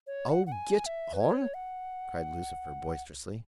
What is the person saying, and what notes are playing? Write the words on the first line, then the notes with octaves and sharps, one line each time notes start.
"Oh! get on," cried Lucifer, boisterously.
C#5
F#5
F#5
G#5
E5
B4
C#5
F#5